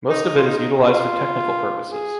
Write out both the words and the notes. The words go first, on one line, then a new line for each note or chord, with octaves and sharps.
Most of it is utilized for technical purposes.
D#4
F4
D#4
D#4
F4
G#4